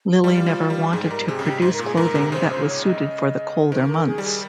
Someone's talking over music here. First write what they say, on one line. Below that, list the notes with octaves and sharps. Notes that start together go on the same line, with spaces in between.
Lilly never wanted to produce clothing that was suited for the colder months.
G3 F4
G3
F3
G3
G#2 G#4
G#4
G#2 A#4
C3 G#4
C#3
C3 G4
G#2 C5
A#4
A#2
G#4
G#2 A#4
C3
C#3 C5
C5
C#5
D#5
D#3 C5
A#4
D#3
G#4
G3
G#4